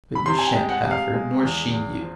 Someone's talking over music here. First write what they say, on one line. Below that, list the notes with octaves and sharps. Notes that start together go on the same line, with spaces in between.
But you shan't have her, nor she you.
B5
C3 C6
G#5
G5
G#3
F#5
C3
F5
G#3
E2
E2
F3